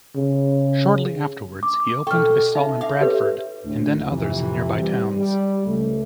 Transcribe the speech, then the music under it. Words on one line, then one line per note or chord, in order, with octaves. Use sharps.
Shortly afterwards he opened a stall in Bradford and then others in nearby towns.
C#3
D6
B2 A4 G5 C#6 F6
D#4 E5
E5 F5 D6
G4 A4 B4 C#5 E5
D2 A2
F2 C3 E3
G3 G4
G3
C#2 A3